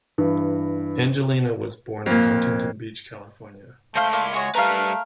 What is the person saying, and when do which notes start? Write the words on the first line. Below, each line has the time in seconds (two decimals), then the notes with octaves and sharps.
Angelina was born in Huntington Beach, California.
0.18 G2 E3
2.06 F2 A#2
3.95 C#2 A3 C5 F5 C6
4.12 A#3 E4 D5
4.34 G#3 F#4 C#5
4.55 G3 A3 A#4 B4 F5